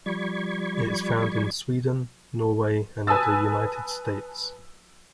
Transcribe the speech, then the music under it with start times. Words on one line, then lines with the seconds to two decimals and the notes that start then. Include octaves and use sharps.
It is found in Sweden, Norway, and the United States.
0.06 F3 G3 D5 B5 C#6 G#6
3.07 B4 G#5 A5 D#6 E6 A6